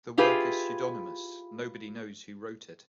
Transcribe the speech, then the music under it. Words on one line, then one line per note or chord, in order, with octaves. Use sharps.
The work is pseudonymous: nobody knows who wrote it.
E4 F4 G4 G#4 B4